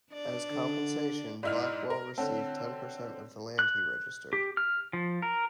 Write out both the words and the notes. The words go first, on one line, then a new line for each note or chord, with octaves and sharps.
As compensation, Blackwell received ten percent of the land he registered.
D4 D5
D3
G#2 E4 D5 D#5 F6
A#4
D3 C4 C#5 F#5 A5
F#6
G4
F6
F3
A#4